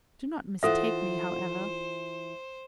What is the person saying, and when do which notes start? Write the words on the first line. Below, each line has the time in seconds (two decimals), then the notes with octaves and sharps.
Do not mistake me, however.
0.63 E3 F4 A4 C5 E5 F#5